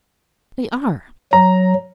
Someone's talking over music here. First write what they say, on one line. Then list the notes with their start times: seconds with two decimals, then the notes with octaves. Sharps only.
They are.
1.33 F#3 A#5